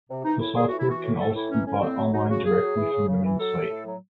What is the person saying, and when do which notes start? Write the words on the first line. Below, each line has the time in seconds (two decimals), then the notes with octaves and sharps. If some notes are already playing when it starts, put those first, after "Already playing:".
The software can also be bought online directly from the main site.
0.09 C3
0.25 E3 D#4
0.40 A2 E4
0.56 A2 G#4
0.68 E3 F#4
0.78 E4
0.88 E3 F#4
1.04 A2
1.19 A2 A4
1.34 E3 E4
1.50 F#3 C#4
1.66 A2 C#4
1.82 A2 C4
1.97 F#3
2.13 F#3 D#4
2.29 C#3 F#4
2.45 C#3 G#4
2.60 F#3
2.76 E3
2.91 C#3
3.07 C#3
3.24 E3
3.39 F#3 A4
3.55 A2
3.70 A2
3.86 F#3